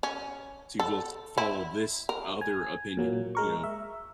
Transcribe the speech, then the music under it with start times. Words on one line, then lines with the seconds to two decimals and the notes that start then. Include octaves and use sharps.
to just follow this o other opinion, you know?
0.03 C#4
0.80 A4
1.38 E4
2.09 A#4
2.41 G#5
2.97 A#2 F#3 A#3
3.35 G#3 A#4 C#6
3.64 E5